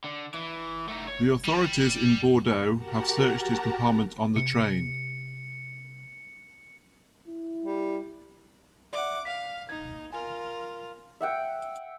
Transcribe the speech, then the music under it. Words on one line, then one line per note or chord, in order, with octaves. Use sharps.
The authorities in Bordeaux have searched his compartment on the train.
D3
E3
A3 D#4
C#5
G3
F#4 G4 A#4 F#5 A5 A#5
C3 C#7
E4
G3
D5 E5 F#5 D6
F5 B6
D#4 G#6
F4 A#4 G#5
E5 F#5 G5